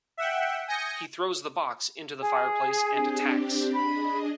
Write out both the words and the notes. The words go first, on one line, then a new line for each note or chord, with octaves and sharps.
He throws the box into the fireplace and attacks.
E5 F#5 G5
G#5 D#6 G6 A#6 C#7
G#4
C4 D4 G4
D4 G#4 D#5 B5